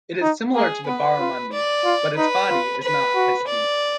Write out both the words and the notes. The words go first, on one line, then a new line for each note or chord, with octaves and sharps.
It is similar to the barramundi but its body is not as deep.
D#4
A#3 G#4
B3 B4
F4
D5
F4
D#4 B4
F4
B4
F#4
D5